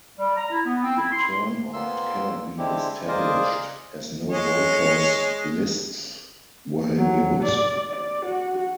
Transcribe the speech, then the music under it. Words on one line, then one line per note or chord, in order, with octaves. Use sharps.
The turnout cannot be established, as no voters lists were in use.
G3
A#5
E4
B3
C4
E4
C6
F2 A#2 A#3 B3 C6 E6
D3 G#3 C4 D4 E4 G4
F4 G#4 A#4 C5 D5 D#5
G#3 C#5
F#3
D5
D5
F#4